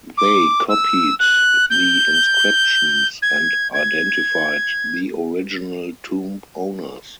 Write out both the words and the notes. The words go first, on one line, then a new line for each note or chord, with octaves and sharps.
They copied the inscriptions and identified the original tomb owners.
D6
E6
F#6
G6
G#6
G#6